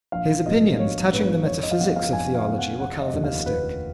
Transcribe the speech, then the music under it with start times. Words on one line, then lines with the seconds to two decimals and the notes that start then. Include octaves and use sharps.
His opinions touching the metaphysics of theology were Calvinistic.
0.12 A#1 F5
0.46 G#2 F#3 B3 D#5
0.79 A#1 C#5
1.12 G#2 F#3 B3 B4
1.46 F2 C#5
1.63 D#5
1.71 F5
1.79 C#3 F3 B3 F#5
1.96 F5
2.13 F2 G#5
2.35 F5
2.46 C#3 F3 B3
2.58 F#5
2.80 F1 F#5
3.02 D#5
3.13 D#2 C#3 F3
3.24 F5
3.46 F1 B4